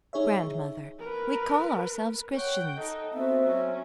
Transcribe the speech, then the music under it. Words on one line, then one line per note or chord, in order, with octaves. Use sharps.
Grandmother, we call ourselves Christians.
D#4 G#4 C#5 E5
A#4 B4
C#5 F#5 G5
D#4 A4 D#5
B3 C4 F#4 E5
F#3 C#4